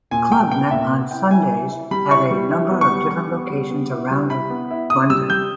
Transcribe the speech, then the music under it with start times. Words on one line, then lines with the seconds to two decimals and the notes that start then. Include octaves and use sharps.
The club met on Sundays at a number of different locations around London.
0.11 A#2 G#5
0.31 A#2 G5
0.51 B3 G5
0.71 A#2 E5
0.91 B3
1.11 E4 G5
1.31 E4 G#5
1.51 E4
1.71 E4
1.91 G3 B5
2.10 E4 C#6
2.31 G3
2.51 E4
2.71 B3
2.81 C#6
2.91 G3
3.10 G3 C#6
3.31 B3
3.50 G3
3.70 B3
3.91 E4
4.11 G3
4.30 E4 B5
4.50 B3
4.71 E4
4.90 E4 D#6
5.10 G3 E6
5.30 G3 G6